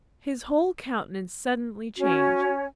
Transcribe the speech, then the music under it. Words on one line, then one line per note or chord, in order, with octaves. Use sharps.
His whole countenance suddenly changed.
C#4 F#4